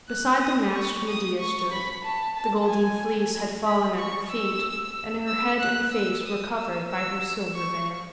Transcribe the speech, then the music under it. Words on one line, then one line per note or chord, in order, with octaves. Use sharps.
Beside the mast Medea stood; the Golden Fleece had fallen at her feet, and her head and face were covered by her silver veil.
F#6
D#6
C#6
D#6
C#6
B5
A5
A5
G#5
B5
C#6
E6
E6
F#6
E6
D#6
E6
E6
C#6